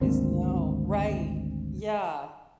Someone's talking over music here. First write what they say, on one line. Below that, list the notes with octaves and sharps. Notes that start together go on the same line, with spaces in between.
Is no Right. Yeah.
G#1 D2 A#3 C4